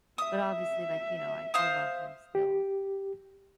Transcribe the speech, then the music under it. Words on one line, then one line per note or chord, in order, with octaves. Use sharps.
But, obviously, like, you know, I I love him still.
E5 D#6
C5 F5 D#6
G4